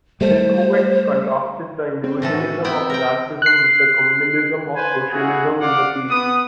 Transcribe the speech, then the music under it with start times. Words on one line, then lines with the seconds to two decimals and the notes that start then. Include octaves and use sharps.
Hillkowitz contrasted the individualism of anarchism with the communalism of socialism in the piece.
0.21 G3 A3 C5
2.04 C4
2.22 A2 E3 A4
2.34 F#4
2.64 B3 C4 E4 G5
2.90 A#4 G5
3.42 F#6 C7
4.76 B4 C5 G#5
5.12 E4 F#4 G#4 F5 F#5
5.60 D5 F5 F#5 D6
6.10 B3 D#6